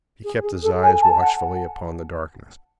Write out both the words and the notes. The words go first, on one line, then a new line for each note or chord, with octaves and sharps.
He kept his eyes watchfully upon the darkness.
G#4
G#4
A4
G#5
A5
F#5